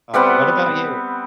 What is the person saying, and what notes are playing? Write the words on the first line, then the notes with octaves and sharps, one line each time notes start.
Um, but what about you?
G3 B3 C4 F#5